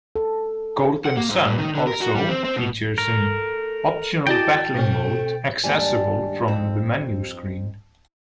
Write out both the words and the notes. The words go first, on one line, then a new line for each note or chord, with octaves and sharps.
"Golden Sun" also features an optional battling mode accessible from the menu screen.
A4
F#5
A#3
G#2
G2
D#3
D3
A#4
F#4
G3
C4
C4
B2
A3 A#4
E4 F#4 G#4 D5 D#5 G5 A5
B2 A3 C4
D#2 G#2 G3 D4 G#5
F2 C4